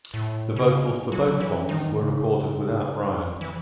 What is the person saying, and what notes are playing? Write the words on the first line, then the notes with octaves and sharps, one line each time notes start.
The vocals for both songs were recorded without Brian.
A2
C#3
F#3
E3
D#3
C#3
E3
E3